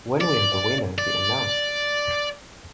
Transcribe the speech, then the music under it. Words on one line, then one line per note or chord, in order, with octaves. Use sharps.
When will the winner be announced?
D5
D5